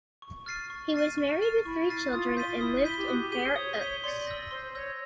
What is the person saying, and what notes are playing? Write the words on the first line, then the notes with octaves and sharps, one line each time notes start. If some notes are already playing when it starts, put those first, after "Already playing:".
He was married with three children, and lived in Fair Oaks.
C#6
F6 A6 C7 D#7
C#6
F6 A6 C7 D#7
C#6
F6 A6 C7 D#7
E4 C#6
F6 A6 C7 D#7
E4
F4 D#6
G6 B6 D#7 G7
E4 D#6
G6 B6 D#7 G7
G4
F#4 D#6
G4
G#4 G6 B6 D#7 G7
C5
C#5 D#6
C#5 G6 B6 D#7 G7
D5 C6
E6 G6 A#6
C5 C6
C#5 E6 G6 A#6